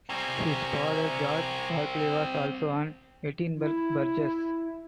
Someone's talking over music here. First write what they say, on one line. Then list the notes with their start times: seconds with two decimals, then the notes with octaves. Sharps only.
His father George Barclay was also an Edinburgh burgess.
0.09 G3 C4 G#5 A#5 C#6
3.57 E4